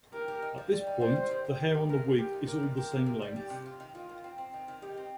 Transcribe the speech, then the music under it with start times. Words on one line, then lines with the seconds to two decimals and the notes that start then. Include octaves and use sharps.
At this point, the hair on the wig is all the same length.
0.13 G4 A#4
0.28 G4
0.42 D#4
0.58 F3
0.72 G3
0.87 D#4
1.01 G3 C5
1.16 G3
1.31 D#3
1.45 G4
1.60 C4
1.74 D#3
1.89 A#2 A#4
2.04 F3
2.18 A#2 G4
2.33 D#4
2.47 G4 A#4
2.63 A#2
2.77 G4 A#4
2.92 A#3
3.06 C3 A#4
3.22 G3
3.36 G3 G4
3.50 C3
3.66 F4
3.80 D#3
3.94 D#3 F4
4.09 D#3
4.24 C4
4.38 C4
4.54 D#3
4.68 D#3
4.82 D#4 G4
4.97 C4